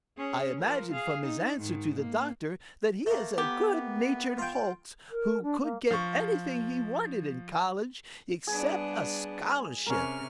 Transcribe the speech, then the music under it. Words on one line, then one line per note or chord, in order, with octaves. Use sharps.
I imagine from his answer to the Doctor that he is a good-natured hulks who could get anything he wanted in college except a scholarship.
C#4 G#4
F3 A#4
G#4 F5
D#4
G#2 D#3
A#3
A3 A#3
B3 G4
F4 G5
A#4
D4
A#3
F3 C#6
G3 B3 D4 G#4
C3 C#4 A#4 F6